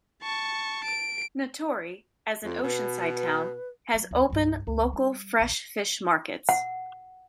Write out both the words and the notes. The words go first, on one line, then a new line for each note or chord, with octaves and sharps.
Natori, as an oceanside town, has open local fresh fish markets.
A5 C#6
D7
F2
B2 B4
F#3
D#2
C2 G2
C#2
G3
A#1 D#2
F#5